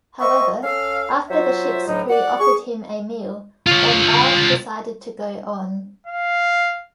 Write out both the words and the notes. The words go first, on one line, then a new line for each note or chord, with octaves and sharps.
However, after the ship's crew offered him a meal, Bombard decided to go on.
C5 D#5 E5 C#6
C#4 A4 F5
F#3 F4 C5 E5
D2 A2 F#3 D#4
F#4 D5 F#5
G#4 C#6
F4 C#5
F5